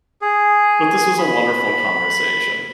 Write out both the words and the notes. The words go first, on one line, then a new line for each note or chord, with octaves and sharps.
But this was a wonderful conversation.
G#4
B5